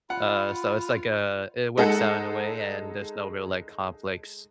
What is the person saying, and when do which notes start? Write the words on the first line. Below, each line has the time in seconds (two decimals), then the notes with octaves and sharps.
uh, so it's like, uh, it works out in a way and there's no real, like, conflicts,
0.10 F4 F#5 B5
1.78 G#3 D#4 A4 F#5